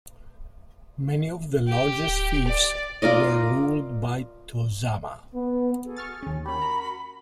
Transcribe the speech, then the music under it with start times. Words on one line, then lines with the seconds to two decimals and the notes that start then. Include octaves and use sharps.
Many of the largest fiefs were ruled by "tozama".
1.68 G4
2.08 D1
2.48 D5
3.02 F4 A#4 D5 D#5
5.34 B3
5.85 F#4 G#4 A4
5.96 C#6 F6 A6
6.23 D#2 C#4
6.46 C#4 F#4 G4 A#4 B5
6.62 A#5